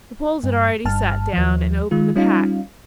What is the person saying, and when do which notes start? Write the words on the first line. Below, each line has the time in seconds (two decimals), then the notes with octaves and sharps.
The Poles had already sat down, and opened the pack.
0.43 G2
0.85 G1 G2 A5 F6
1.33 D#2 F3
1.91 D#3 G#3 F4
2.16 G3 C#4 D#4 F4 F5